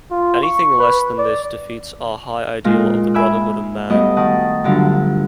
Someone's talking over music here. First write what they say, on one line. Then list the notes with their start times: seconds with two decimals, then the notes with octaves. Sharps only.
Anything less than this defeats our high ideal of the brotherhood of man.
0.11 F4
0.43 C#6
0.79 B4
1.18 D5
2.65 A#2 G#3 D#4 F4
3.14 E5 G#5 B5 D6 E6 F#6
3.90 G2 A3 B3 F#4 D#5 D6
4.17 D#3 F#5 A5 D#6
4.64 G2 D3 F3 F#3